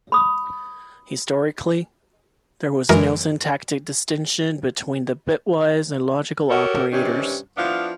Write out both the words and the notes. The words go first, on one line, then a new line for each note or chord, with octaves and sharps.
Historically, there was no syntactic distinction between the bitwise and logical operators.
B5 D#6
F#2 E3 G#3 A#4
F#4 G4 A4 A#4 C#5
G2 C3 D#3 C#4
F3 B3 D4 E4 F5